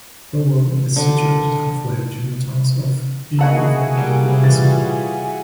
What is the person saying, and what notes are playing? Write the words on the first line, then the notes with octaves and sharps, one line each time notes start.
Owo is situated halfway between the towns of Ile Ife and Benin City.
D3
A#3 E4 F#4 G#4 D#5 F#5 A5
G3 A#3
A#2 E3 F4 A6